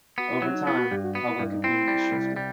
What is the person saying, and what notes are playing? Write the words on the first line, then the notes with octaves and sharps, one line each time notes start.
Over time, public opinion shifted.
B3 F#4
E4
F#3 E4
C4
D#4
B3 E4
F#4
G2 G4
F#4
B3 F#4
E4
G2 E4
D#4
C4 E4
G3
C2
G3